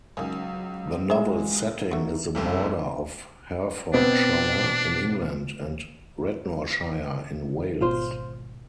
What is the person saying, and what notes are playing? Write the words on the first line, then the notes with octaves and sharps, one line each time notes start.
The novel's setting is the border of Herefordshire, in England, and Radnorshire, in Wales.
C#2 D#3 F#3 C#4
G#3 G#4 C5 E5
A3 D#4 F#4
F#1 C2 F2 A4
B2 B3 C4 D4
G#1 B2 F4 C5